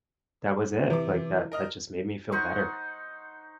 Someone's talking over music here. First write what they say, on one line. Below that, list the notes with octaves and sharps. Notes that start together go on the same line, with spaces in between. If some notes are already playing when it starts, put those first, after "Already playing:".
that was it, like, that that just made me feel better.
C3 E3 D6
A#4 D#5 F6
D#4 C5 F#5 C#6